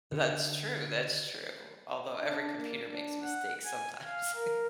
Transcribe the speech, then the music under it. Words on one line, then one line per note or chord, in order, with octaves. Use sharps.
That's true, that's true. Although every computer makes mistakes sometimes.
D3
D4
A#3
D4
F#5
G#5
F5
A#4